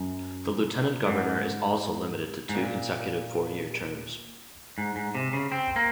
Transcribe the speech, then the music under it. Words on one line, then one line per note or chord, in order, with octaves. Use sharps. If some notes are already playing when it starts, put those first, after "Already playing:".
The Lieutenant Governor is also limited to two consecutive four-year terms.
Already playing: F#2
G#2
G#2
A#2
G#2
G#2
C3
C#3
C4
A#3